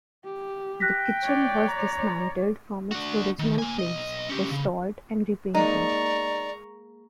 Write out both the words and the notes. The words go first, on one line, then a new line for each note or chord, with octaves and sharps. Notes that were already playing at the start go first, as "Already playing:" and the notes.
The kitchen was dismantled from its original place, restored and repainted.
G4
G5 F#6 A#6 B6
C#5 D5
A#5
D4 F#4
D#3
A#3 G#5
B1 D#5
C#4 G4
C#3
G#3 A#3 D#4 D5 A#5 C#6